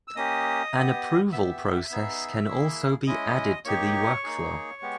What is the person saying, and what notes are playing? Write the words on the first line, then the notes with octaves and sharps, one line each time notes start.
An approval process can also be added to the workflow.
E6
A#3 C#4 G4 D#5 D#6
B3 G4
B3 G4 E5 E6
B3 D#4 G#4
A#3 E4 G#4
G#3 C#4 E4 D#5 D#6
A#3 D#4 G4 C#5 C#6
A#3 D#4 G#4
G#3 B3 G4